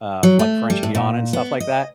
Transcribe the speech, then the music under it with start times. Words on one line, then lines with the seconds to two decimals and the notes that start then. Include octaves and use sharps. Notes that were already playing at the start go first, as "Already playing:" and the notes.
uh, like, French goan and stuff like that.
0.23 F#3
0.39 A3
0.70 G3
0.83 A2
0.95 A#2
1.33 B3
1.60 D#5